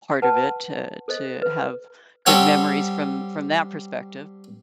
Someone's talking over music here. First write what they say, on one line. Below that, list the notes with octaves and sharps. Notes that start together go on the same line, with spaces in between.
part of it, uh, to have good memories from from that perspective.
B4 F#5 A5
A4 C5 D#5
B4
G3 C4 A4 C#5 F#5